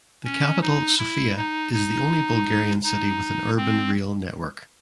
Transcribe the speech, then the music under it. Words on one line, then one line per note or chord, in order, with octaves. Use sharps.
The capital Sofia is the only Bulgarian city with an urban rail network.
C#4
D#4
E4
D#4
D#4
D#4
C4